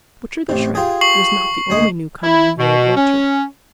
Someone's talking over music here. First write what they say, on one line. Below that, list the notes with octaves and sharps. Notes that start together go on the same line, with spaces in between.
Butcher the Shrike was not the only newcomer in the Old Orchard.
A1 C3
F4 G4 G#4
C#6 C7 F#7
D2 G#3 D#6
E4
B2
C#4